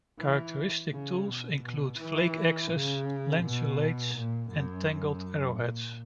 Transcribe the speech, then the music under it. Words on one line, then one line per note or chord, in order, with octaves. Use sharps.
Characteristic tools include flake axes, lanceolates and tanged arrowheads.
E3
C#3
B2
B2
E3
C#3
B2
A#2
F#2
A#2